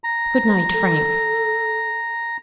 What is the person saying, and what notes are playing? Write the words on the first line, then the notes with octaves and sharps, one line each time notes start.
"Good night, Frank."
A#5
A4